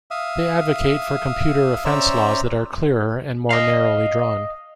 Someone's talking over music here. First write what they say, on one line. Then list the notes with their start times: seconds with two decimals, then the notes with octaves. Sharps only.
They advocate for computer offense laws that are clearer and more narrowly drawn.
0.11 E5 F5 D#6
1.85 C#4 C5 D5 E5 A#5 E6
3.51 D#5 F5